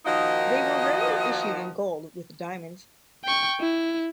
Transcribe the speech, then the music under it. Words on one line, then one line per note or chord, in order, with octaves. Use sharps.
They were rarely issued in Gold with Diamonds.
D#3 F3 A#3 D#4 F#4 D#5
G5 C#6
E4